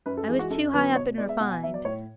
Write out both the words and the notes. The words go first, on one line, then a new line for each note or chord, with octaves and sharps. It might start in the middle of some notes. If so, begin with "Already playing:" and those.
I was too high up and refined.
F#2 B4
A4
E3 G#3 G#4
F#4
F#2 A4
D3 F#3 B3 B4
B2 C#5
G#3 B3 D5
E5
B2 F#5
G#5
F#3 B3 E5
D5
A2 C#5